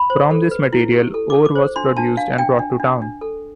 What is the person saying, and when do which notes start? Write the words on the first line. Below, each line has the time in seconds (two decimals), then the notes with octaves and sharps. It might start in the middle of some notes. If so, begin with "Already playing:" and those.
From this material, ore was produced and brought to town.
Already playing: B5
0.10 C5
0.31 A4
0.51 B4
0.73 E4
0.92 G4
1.14 A4
1.30 D6
1.35 A4
1.45 D6
1.55 C5
1.76 D4 C6
1.97 D4 A5
2.17 D4 F5
2.38 D4 G5
2.59 D4
2.80 D4
3.02 D4
3.21 A4